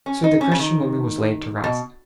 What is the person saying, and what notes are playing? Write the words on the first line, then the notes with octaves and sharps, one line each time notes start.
So the Christian woman was laid to rest.
C#4
D#4
C#4
C#3
D#3
B2